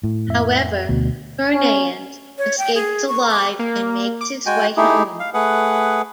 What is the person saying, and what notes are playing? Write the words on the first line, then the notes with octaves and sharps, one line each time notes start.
However, Fernand escapes alive and makes his way home.
A2
F2 E5
D2 B2
C#4
C#5
G5
G#4
C#6
D6
A#3
D6
G#3 F#4 G5 G#5
A3 D#4 E4 G4 G#4
F5
A3 G#4 B4 F#5